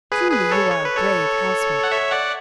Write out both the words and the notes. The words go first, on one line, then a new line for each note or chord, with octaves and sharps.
Truly, you are a brave housewife!
G#4 B4
G#4 B4
A4 C#5
C#5
B4
A4 C#5
F#5
C#5 E5
D5 F#5